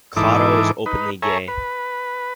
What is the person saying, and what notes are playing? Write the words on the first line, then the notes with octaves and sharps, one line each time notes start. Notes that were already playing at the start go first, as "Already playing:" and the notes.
Caro is openly gay.
G#2 E3 D#4 E4 A4 D6
D#4 B4
A4 C#5 E5 G#5 A#5
B4